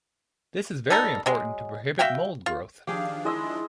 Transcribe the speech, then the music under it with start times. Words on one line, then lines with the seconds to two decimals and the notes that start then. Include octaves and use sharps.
This is very important to prohibit mold growth.
0.90 G3 D#4 A4 A#4
1.26 F#3 G#3
1.99 F#4 E5 F5 G5
2.46 F4
2.87 D#3 F3 D4 G4 G#4 F5
3.25 G#3 E4 D#5 E6